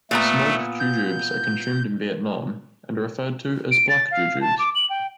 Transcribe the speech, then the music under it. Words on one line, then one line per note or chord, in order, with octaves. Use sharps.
Smoked jujubes are consumed in Vietnam and are referred to as black jujubes.
A#2 A3 B3 A#5
G6
D7
A6
F5
A5
D6
F#7
G5